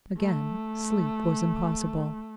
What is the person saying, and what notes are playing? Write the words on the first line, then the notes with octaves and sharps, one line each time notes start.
Again sleep was impossible.
A3